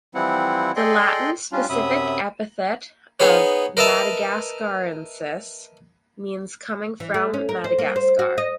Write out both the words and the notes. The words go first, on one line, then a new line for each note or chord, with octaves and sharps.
The Latin specific epithet of "madagascariensis" means coming from Madagascar.
E3 F3 G3 C4 E4 F#5
G#4 A4 D5 D#5 G5 C6
G3 C#4 D4 F4
F#2 C3 F#3 E5 B5 D#6
B3 D#4 G#4 B4 C#5
A#4 B4 D#5 E5 A5 A#5
E3
A3
C#4
A#4
C5
A#3
C5
F#4
D#5